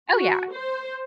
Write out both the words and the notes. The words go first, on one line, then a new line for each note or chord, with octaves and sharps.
Oh, yeah.
F#4
C5